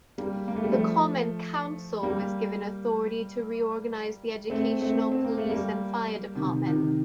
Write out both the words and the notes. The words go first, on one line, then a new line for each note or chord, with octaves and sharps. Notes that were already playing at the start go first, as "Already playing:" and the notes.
The common council was given authority to reorganize the educational, police, and fire departments.
G3 A#3
A#3
A3
G3
F3 A3
G3 A#3
A3 C4
A3 C4
C4
A#3
A3
G3 A#3
C3 D#3
C3 D#3